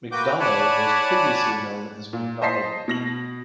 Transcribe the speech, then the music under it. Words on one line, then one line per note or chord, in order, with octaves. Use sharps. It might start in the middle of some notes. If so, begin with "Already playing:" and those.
McDonogh was previously known as McDonoghville.
A#3 F#4 B4 G5 D6 G6
C#5 D5 F#5 G#5 A5 B5
A#2
C5 D#5 A5 B6 C7
B2 A#6 F#7